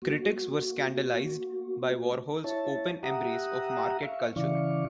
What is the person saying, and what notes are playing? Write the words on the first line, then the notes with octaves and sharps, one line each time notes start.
Critics were scandalized by Warhol's open embrace of market culture.
A#3 F#4
E4 C#5 A5
G4 E5 F#5 A#5 D#6
E5 F5 C#6
C#3 E3 E4 D5 F5 C#6